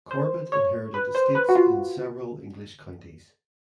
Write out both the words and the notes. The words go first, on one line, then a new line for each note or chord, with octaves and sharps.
Corbett inherited estates in several English counties.
C5
C#5
B4
C5
B4
F#4
F4